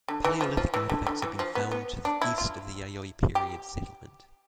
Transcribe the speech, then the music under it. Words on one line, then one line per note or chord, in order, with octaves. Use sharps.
Paleolithic artifacts have been found to the east of the Yayoi period settlement.
D3
E3
F3
F3
E3
D3
D3
E3
F3
B3
B3
D4
E4
F4
G4